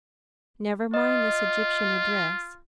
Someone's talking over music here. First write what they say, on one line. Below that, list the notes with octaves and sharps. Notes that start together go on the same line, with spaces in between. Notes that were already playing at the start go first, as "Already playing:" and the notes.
Never mind this Egyptian address.
F4 D#5